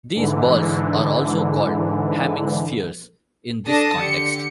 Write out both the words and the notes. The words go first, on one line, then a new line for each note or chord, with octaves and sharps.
These balls are also called "Hamming spheres" in this context.
G#2 D3 E3
D4 A4 A5 D#6 A#6
D3 G4 C#7